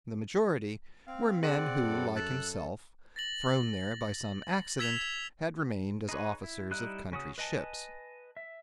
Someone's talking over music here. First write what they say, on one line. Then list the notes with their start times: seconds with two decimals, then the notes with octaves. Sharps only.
The majority were men who, like himself, thrown there by some accident, had remained as officers of country ships.
1.07 C4 F5
1.43 C4 G#4 D5 F#5
1.79 F#2 A4
2.16 E6 F#6 A6
3.16 A6 A#6 F#7
4.79 E6 G#6 B6 E7 F7 G7
6.09 D#4 G#4 B4 C#5
6.44 E4
6.71 G3 D#4 E4 F#6
7.12 C#3 C#4 F#4 D#6
7.38 B4 D#5 G#5 A5
8.37 E5